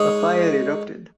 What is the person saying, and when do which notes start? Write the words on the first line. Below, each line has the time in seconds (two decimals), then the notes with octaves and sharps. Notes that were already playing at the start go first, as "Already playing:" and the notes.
A fire erupted.
Already playing: G#3 D#4 G#4 C#5